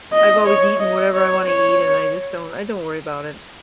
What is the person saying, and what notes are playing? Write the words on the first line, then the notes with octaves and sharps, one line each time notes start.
I've always eaten whatever I wanna eat, and I just don't I don't worry about it.
D#5
C#5
D#5
C#5
C#5